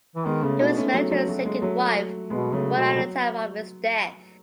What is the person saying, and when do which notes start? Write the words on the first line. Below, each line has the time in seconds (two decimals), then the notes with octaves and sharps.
He was married to his second wife, Rona at the time of his death.
0.16 E3
0.25 D#3 G#3 B3
0.42 C#3 A3 C#4
0.59 B2 B3 D#4
0.77 A3 C#4
0.94 F#3 A3
1.11 F#3 A3
1.28 F#3 A3
1.46 G#3
1.62 F#3 A3
2.30 B2 G#3 B3
2.53 C#3 F#3 A3
2.77 B2
2.95 B2
2.99 F#3